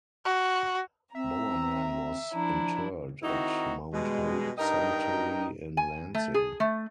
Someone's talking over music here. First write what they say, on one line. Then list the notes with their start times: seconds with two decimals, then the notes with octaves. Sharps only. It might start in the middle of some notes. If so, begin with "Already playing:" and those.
Bowerman was interred at Mount Hope Cemetery in Lansing.
0.25 F#4
1.15 C4 E5 A#5
2.33 F3 D4 E4 A#5
3.23 D#3 C4 D#4 E4 F#4
3.93 B2 G3 G#3
4.58 G2 D#4 A#4 D#5 G5
5.77 G#5
6.15 A3
6.34 G#4
6.60 A3